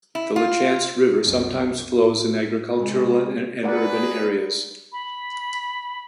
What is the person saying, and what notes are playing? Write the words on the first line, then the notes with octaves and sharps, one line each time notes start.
The Lachance River sometimes flows in agricultural and urban areas.
E4
F4
C2 F#2
A2
C3 G#3
G#4 A#4 B4 D5 F#5
B5